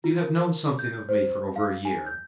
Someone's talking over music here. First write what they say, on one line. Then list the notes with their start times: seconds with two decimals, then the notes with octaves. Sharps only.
You have known something of me for over a year.
0.04 F4
0.21 A#4
0.79 G6
1.09 C5
1.56 F5
1.85 G#5
2.06 G6